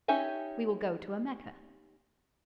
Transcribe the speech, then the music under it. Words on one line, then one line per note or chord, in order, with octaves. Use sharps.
We will go to a Mecca.
C#4 D#4 G4 E5 G#5